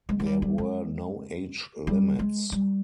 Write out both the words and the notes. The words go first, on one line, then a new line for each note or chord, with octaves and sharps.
There were no age limits.
G#3
G#3
G3
G3
G#3
G3
G#3
G3